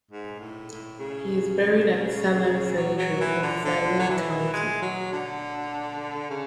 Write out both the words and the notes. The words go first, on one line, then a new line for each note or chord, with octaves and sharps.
He is buried at Salem Cemetery in Saline County.
G#2
A2
A2
C#3
F#3
F#3
E3
D3
D3
F#3
E3
G#3
F#3
D3
C#3